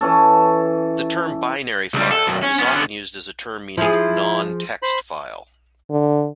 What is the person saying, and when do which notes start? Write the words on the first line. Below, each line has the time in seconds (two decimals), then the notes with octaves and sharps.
The term "binary file" is often used as a term meaning "non-text file".
0.01 E3 C#4 A4
1.94 C#2 G3
2.12 A4
2.27 B1 F#2
2.43 C#4
2.60 B3 C#4
2.74 D3 B3
3.77 F3 E4 G#4
4.82 C5 B5
5.90 D3